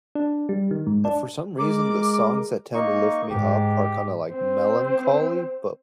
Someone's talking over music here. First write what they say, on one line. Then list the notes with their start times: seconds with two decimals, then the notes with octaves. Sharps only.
eh, for some reason, the songs that tend to lift me up are kinda, like, melancholy, but,
0.15 D4
0.49 G3
0.71 D#3
0.87 G#2
1.05 D4
1.59 G#3 A#4 D6
2.74 A#3 D#4 C#6
3.30 G#2 G4
4.33 C4 C5